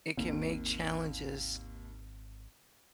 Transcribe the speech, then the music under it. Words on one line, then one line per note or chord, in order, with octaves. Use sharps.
it can make challenges
G#1 D#2 C4